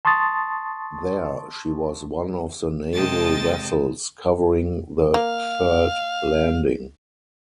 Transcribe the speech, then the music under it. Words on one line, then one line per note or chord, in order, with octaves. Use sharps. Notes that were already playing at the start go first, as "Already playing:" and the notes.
There she was one of the naval vessels covering the third landing.
A5 C6 C#6 D#6 A6
C3 G#3 D#5 G5 A5 A6
A#3 F5